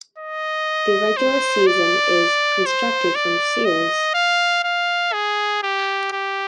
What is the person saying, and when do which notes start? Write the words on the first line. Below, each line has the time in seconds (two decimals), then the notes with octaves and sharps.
The regular season is constructed from series.
0.18 D#5
1.17 C5
1.67 D5
2.66 C5
3.15 D5
3.65 D#5
4.14 F5
4.64 F5
5.13 G#4
5.63 G4
6.12 G4